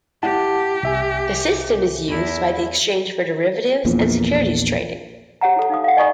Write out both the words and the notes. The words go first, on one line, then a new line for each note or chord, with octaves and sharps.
The system is used by the exchange for derivatives and securities trading.
E4 G4 F#5 A5
C2 E5 G#5
E2 E4
A#1 E2 A#2
G4 C#5 F#5 A#5
E4 A4
D#4 F5 D#6
F5 F#5
D5 D#5 G#5 A#5 C#6 D#6